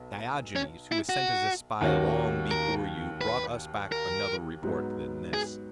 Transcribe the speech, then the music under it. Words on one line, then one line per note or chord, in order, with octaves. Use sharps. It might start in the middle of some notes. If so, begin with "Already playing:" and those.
Diogenes, who was sent as a spy long before you, brought us back another report than this.
Already playing: B1 B3
C#4
E4
F#4
D#2 D#3 A#3 C#4 F#4
A#4
B4
A#4
G#2 F#3 B3
G#4